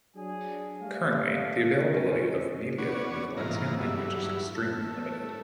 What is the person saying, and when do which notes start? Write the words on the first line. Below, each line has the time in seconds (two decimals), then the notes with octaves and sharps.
Currently, the availability of media in the Valencian language is extremely limited.
0.16 F#3 D4 G#4
0.82 G3 A3 D5 F5
1.70 B2 D3 A3 C4 C#4
2.78 B3 C#4 F#4 C#5 D5
3.37 G#2 E3 F4 A#5
3.80 G2 F#3 E4
4.56 A3